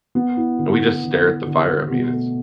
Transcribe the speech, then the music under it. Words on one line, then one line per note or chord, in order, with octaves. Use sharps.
and we just stare at the fire, I mean, it's
B3
E4
D3
E4
D3
E4
D3
D3
B2
A3